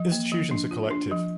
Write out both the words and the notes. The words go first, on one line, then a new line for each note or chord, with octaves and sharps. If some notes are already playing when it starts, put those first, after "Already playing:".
Institutions are collective.
Already playing: F3
A#3
F3
D4
F4
D4
F3